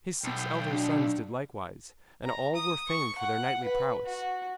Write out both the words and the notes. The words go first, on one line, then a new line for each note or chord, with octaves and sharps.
His six elder sons did likewise, and all were famed for their knightly prowess.
B1 G5
D4
A#5
D#6
C#6
F#5
B4
F#4